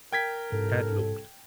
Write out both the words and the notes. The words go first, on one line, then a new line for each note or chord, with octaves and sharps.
Tad looked.
A#4 G5 G#6 B6
C2 G#2 A4